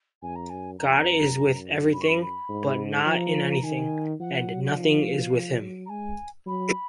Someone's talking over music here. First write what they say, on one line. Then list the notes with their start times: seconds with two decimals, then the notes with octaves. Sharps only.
God is with everything, but not in anything, and nothing is with Him.
0.22 F2 G#5
0.36 A#5
0.50 F#2 G#5
0.79 F2 A#5
1.07 F#2
1.93 B5
2.01 C#6
2.08 B5
2.21 B5
2.49 G#2
3.06 F3 A#5
3.51 A#5
3.63 D#3 G#5
4.20 F3 F#5
4.48 F#3
4.65 F#5
4.76 F3 F5
5.33 F3
5.62 F#3
5.86 A#5
5.89 G#3 G#5
6.46 F#3 B5